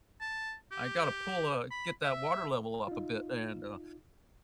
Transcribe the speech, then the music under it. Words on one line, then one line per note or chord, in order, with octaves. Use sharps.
I got to pull, uh get that water level up a bit, and, uh,
A5
G4
B5
E5
D#4 F4